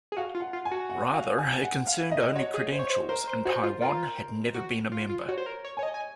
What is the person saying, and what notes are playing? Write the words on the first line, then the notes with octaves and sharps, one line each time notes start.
Rather it concerned only credentials and Taiwan had never been a member.
G#4
F#4 F5
F4
F#5
F4
G#5
F#4
F#5
F5
G#5
F#5
F5
D#5
F#4 C#5
G#4
C5
C#5
C5
A#4 C5
C5
F#4 C5
F4
F4 A#4
F#4
F4
F4
F#4 C#5
C5
A#4
C#5
C#5 G#5
D#5
G#5